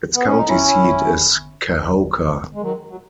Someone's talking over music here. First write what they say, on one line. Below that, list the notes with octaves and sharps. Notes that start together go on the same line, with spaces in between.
Its county seat is Kahoka.
B3
C#4
D#4
C#4 E4
G#3
D#3 F#3
F#3